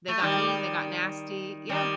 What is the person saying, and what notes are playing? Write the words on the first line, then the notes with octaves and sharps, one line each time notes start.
They got mean, they got nasty yeah.
A3
D#3 G3
D#3 G3